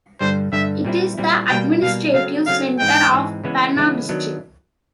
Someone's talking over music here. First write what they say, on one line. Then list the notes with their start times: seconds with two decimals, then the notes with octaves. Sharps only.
It is the administrative center of Panna District.
0.20 G2 D3 G3 C5
0.53 G2 D3 G3 E5
0.85 A#2 G3 C4 E4
1.18 A#2 G3 C4 E4
1.49 B2 G3 A#3 G5
1.82 B2 G3 A#3 F5
2.14 C#3 F#3 A3 C4 F5
2.47 C#3 F#3 A3 C4 F5
2.79 G#2 E3 G#3 C4 G5
3.11 G#2 E3 G#3 C4
3.44 C#3 E3 G#3 B3 E4
3.77 C#3 E3 G#3 B3 E4
4.09 D#3 F#3 B3 D4